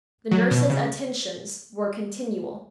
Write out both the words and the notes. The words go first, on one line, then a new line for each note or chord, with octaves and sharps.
The nurses' attentions were continual.
F#3
B2
C#3